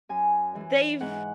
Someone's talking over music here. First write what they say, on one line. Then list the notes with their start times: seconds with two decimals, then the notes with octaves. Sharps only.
mm, they've
0.09 F#2 G#5
0.55 E3
1.01 G#2 F#5